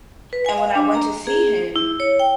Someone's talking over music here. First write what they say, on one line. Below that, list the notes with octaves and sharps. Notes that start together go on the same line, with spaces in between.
And when I went to see him
B4
G#5
F5
D4
A#5
G#4
E4
C#5
G5